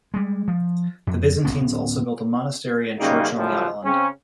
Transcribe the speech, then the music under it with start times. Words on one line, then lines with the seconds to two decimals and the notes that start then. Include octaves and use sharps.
The Byzantines also built a monastery and church on the island.
0.14 G3 G#3
0.48 F3
1.07 F2
1.45 D1 G2 B3 C#4
2.99 F#2 C#3 G3 G#3 A#3 D#4
3.35 G#1 C#2 F#2 F3 G3
3.84 C#3 C4 C#4